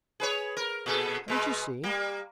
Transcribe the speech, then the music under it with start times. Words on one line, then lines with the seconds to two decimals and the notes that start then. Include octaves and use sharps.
'Haven't you seen?
0.20 G#4 B4 C#5
0.57 A#4
0.86 A#2 G#4 A4
1.28 B2 G#3 B4
1.84 G3 A#3